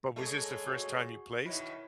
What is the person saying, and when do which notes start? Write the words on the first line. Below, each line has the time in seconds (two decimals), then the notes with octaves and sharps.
But was this the first time you placed?
0.16 C#3 G#3 A3 G#4
0.66 F#4
1.46 B2 D#3 E4 C#5 E5